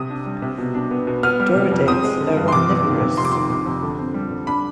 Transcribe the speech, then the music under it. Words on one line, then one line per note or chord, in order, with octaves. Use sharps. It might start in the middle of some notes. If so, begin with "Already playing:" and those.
Doradids are omnivorous.
Already playing: C3 D#6
D4
G3
C3
B2
D4
B3
B2
B3 F6
G3
C3
F2
C4 D#6
G#3
D3
G2
C6
C3 D6
B3
D#3
C3
F2 C6
D6
D#3 C6
C3
F2
D3
C4
G3
D3
D4 B5